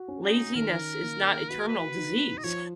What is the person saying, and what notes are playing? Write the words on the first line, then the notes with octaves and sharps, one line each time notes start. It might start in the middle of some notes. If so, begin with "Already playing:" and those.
"Laziness is not a terminal disease,"
Already playing: F#4
C#4
D#4
D#3 A#4
A#3
F#4 B4
A#4
B4
D#4
D#5
F3 C#5